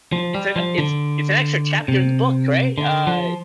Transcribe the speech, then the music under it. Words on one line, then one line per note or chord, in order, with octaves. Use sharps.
It's an it's it's an extra chapter in the book, right? Uh,
F3
G3
F3
D3
C3
D3
F3